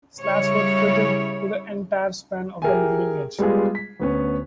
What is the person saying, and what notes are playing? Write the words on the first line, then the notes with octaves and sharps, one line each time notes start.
Slats were fitted to the entire span of the leading edge.
C#3 G3 E4 C#5
G4 G#4 A#4 E5 G5 G#5
G3 G#3 B3 F4 G#4
B6
D2 B3 C#4